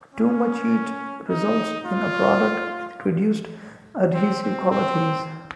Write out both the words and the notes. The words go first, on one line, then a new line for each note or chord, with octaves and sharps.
Too much heat results in a product with reduced adhesive qualities.
C#4
D#4
F4
C4
C4
C4